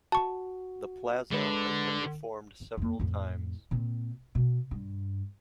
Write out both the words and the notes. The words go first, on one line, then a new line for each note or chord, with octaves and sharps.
The plaza has been reformed several times.
F#4 A5 C#6
D3 G#3 B4
F2 A#3
F2 A2
A#2 C4
B2
G2